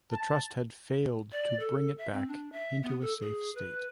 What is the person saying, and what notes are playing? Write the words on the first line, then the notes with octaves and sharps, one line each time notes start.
The trust had failed to bring it back into a safe state.
A5
D5
A4
E5
C4
D4
E5
B3
A4
G#4
B4